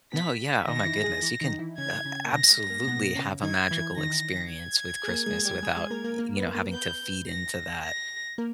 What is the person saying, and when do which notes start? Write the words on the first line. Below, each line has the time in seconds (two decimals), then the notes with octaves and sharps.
No, yeah. Oh my goodness, you can, uh, absolutely have a magical experience with Christmas without, y you know, having to feed into that,
0.13 B2 B3 B6
0.67 D#3 D#4 A#6
0.79 D#4
0.86 E3 E4
1.04 G#3 G#4
1.23 E3 E4
1.41 D#3 D#4
1.59 E3 E4
1.78 C#3 C#4 G#6
2.05 C#3 C#4
2.25 A#3
2.32 B2 B3 A#6
2.52 G#3
2.70 A#3
2.87 B2 B3
3.15 C#3 C#4
3.43 D#3 D#4 G#6
3.71 E3 E4
3.97 D#3 D#4 A#6
4.53 G#6
5.03 G#4
5.08 A#3 A#4
5.26 G#3 G#4
5.44 G3 G4
5.62 G#3 G#4
5.77 G#3 G#4
5.90 A#3 A#4
6.04 A#3 A#4
6.18 A#3 A#4
6.37 B3 B4
6.55 A#3 A#4
6.73 B3 B4 G6
7.28 A#6
7.83 A#6
8.38 A#3 A#4